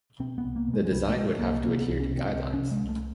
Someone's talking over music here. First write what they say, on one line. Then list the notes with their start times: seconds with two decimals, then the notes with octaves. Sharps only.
The design would have to adhere to guidelines.
0.20 B2 C4
0.38 B3
0.44 C2
0.56 A#3
0.68 B2
0.73 G#3
0.85 G#3
0.91 C2 G3
1.09 A3
1.16 B2 G#3
1.39 C2 A#3
1.63 C3 A#3
1.81 B3
1.88 C2
2.00 C#4
2.11 C3
2.18 C4
2.35 C2 C4
2.54 C#4
2.59 C3
2.71 G#3
2.83 C2
2.89 A3